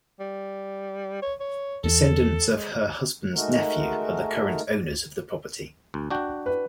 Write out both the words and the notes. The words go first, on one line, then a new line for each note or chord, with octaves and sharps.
Descendants of her husband's nephew are the current owners of the property.
G3
C#5
C#5
E2 A4
G#3
G#3 A3 D#4 F#4 A#4
D2
D4 F#4 G5
B4